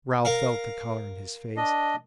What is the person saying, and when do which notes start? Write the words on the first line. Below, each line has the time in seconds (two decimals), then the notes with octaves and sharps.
Ralph felt the colour in his face.
0.25 A#4 F5 A#5
1.57 D4 D#5